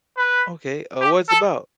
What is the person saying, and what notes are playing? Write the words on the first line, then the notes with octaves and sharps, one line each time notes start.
Okay, uh, what it's about?
B4
G4
A4